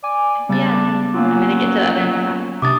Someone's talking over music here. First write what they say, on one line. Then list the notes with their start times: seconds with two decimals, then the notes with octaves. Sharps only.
Yeah. I'm gonna get to the other side.
0.04 D5 G#5
0.49 C#3 G3 B3 D4 A6
1.14 F#3 A#3 C#4 F4
2.62 C3 D4 D6 D#6 A6